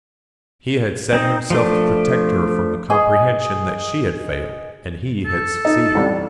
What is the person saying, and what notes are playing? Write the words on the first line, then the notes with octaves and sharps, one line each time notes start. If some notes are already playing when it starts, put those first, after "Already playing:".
He had set himself to protect her from the comprehension that she had failed, and he had succeeded.
C4 D#4
F3 A3 D4
G#4 D#5
A4
D#4
A1 F2 G3